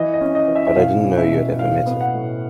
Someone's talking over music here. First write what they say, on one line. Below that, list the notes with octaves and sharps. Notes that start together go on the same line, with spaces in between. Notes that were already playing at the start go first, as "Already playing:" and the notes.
But I didn't know you had ever met him.
Already playing: E3 D#5
D#5
C#4
D#5
E3
E5
E5
B2 F5
C#4
E5
B2
A2 F5
B3
F#5
A2